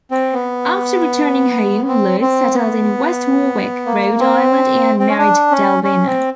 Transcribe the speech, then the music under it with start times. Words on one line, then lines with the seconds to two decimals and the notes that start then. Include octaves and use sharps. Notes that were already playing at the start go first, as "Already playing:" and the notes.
After returning home, Luz settled in West Warwick, Rhode Island and married Delvina.
0.11 C4
0.33 B3
1.88 C4
2.21 C4
2.54 B3
3.86 A#3
4.20 C4
5.00 C4
5.08 C#4
5.18 D4
5.51 C#4
5.84 C#4
6.06 C4